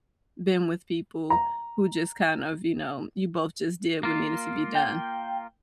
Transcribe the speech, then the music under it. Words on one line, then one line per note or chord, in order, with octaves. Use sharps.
been with people who just kind of, you know, you both just did what needed to be done?
A#5
A#3 F4
G5